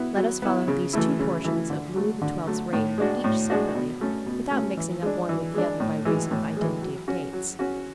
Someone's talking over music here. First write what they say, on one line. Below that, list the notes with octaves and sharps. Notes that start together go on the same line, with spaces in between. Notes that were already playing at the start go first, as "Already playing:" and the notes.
Let us follow these two portions of Louis XII.'s reign, each separately, without mixing up one with the other by reason of identity of dates.
Already playing: B3 E4
F#3
B3 E4
C#3
E3 A3 E4
C#3
E3 A3 E4
D3
F#3 A3
D3
F#3 A3
A2
G#3 D4 F#4
A2
G#3 D4 F#4
B2
A3 C#4
B2
A3 C#4
E3
G#3 D4
E3
G#3 D4
A2
E3 G#3
A2
E3 G#3
F#3
C#4 F#4
F#3
C#4 F#4